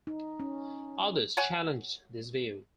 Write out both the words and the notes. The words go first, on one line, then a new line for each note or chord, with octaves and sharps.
Others challenged this view.
D#4
C#4
C#5 F#5 G#5